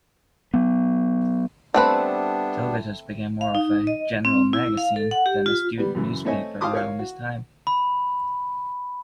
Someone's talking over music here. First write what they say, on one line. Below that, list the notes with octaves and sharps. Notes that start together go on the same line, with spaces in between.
Togatus became more of a general magazine than a student newspaper around this time.
F#3 B3
G3 A3 B3 C4 D4 B4
F5
D#4
D#5
C4
E4
F5
A4
F#5
G4
F4
G3 B3
F#2 C#3 E3
A3 C4 C#5 D#5 E5 G#5
F5 G5 A5 C6 D6 D#6
A#4 C#5 F5
F#4
B5